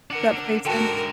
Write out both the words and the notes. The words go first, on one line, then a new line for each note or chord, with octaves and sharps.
that plays him?
D4 A#4 F#5
G#2 D3 F#4 A4 A#4 G5 A5